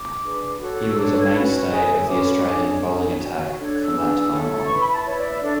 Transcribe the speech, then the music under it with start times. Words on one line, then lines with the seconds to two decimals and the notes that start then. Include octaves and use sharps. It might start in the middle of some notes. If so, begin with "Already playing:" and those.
He was a mainstay of the Australian bowling attack from that time on.
Already playing: D6
0.21 D4 G#4 B4
0.59 F#4 A4 C#5
0.89 E6
0.96 D4 A4 C#5 D6
1.08 F#6
1.21 G#6
1.33 C#4 F#4 B4 F#6
1.70 E4 G#4 C#5
2.07 C#4 F#4 B4 D6
2.45 D4 G#4 C#5
2.82 D4 G#4 C#5
3.19 F#4 C#5
3.55 D4 A4 C#5 F#6
3.65 G#6
3.74 F#6
3.84 E6
3.92 D4 G#4 B4
4.29 E4 A4 C#5
4.66 E4 B4 C#6
4.79 B5
4.91 A5
5.04 E4 B4 C#5
5.16 D5
5.29 E5
5.40 D4 A4 C#5 D5